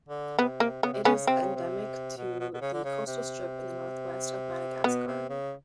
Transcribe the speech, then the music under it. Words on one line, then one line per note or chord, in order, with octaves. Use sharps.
It is endemic to the coastal strip in the northwest of Madagascar.
D3
C3 B3
A#3
C#3 B3
C3
C#3 B3 C#4
C3 C4
C#3
C3
B2
B2
B2
C#3
D3
C#3
C3
B2 B3
C3
C#3